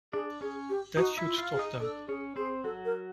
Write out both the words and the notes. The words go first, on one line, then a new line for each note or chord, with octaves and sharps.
That should stop them.
D4 G#4 D5
C#4 G#4 C#5
G4
D#4 F#4 D#5
E4 E5
F4
F4 F5
G#4
D#4 D#5
D4 A4 D5
C#4 G#4 C#5
C4 G#4 C5
F#3 F#4 A4
A#4